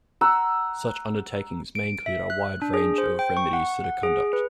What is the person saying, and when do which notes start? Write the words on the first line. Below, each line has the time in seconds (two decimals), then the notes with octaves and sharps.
Such undertakings may include a wide range of remedies to the conduct.
0.21 F#5 A#5 E6
1.75 D7
2.06 E5
2.30 F#6
2.62 D4
2.74 G#4
2.98 C5
3.19 G5
3.37 C#6
3.53 F#5
3.84 F#5
4.03 G#4
4.33 B4